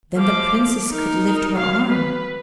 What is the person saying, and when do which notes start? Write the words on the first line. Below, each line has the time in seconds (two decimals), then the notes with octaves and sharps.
Then the Princess could lift her arm.
0.16 F3 D6
0.90 D#4 A#4
1.57 F#3 F5
1.90 B4